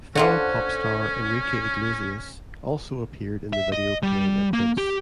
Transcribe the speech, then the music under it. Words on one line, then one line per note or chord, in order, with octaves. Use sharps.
Fellow popstar Enrique Iglesias also appeared in the video playing a Prince.
D3 C#4 F4 F#4 A4 C5
E5
D#5
G3
A#3
G4